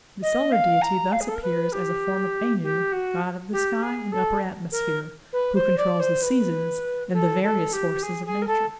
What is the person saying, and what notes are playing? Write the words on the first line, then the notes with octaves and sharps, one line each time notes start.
The solar deity thus appears as a form of Anu, god of the sky and upper atmosphere, who controls the seasons and the various forces of nature.
D#5
F5
A#5
F5
G#4
A4
A#4
B4
G4
G4
F#4
G4
G#4
A4
A#4
B4
C5
D5
C5
B4
A4
A4
G4
G#4
G#4
A#4
A4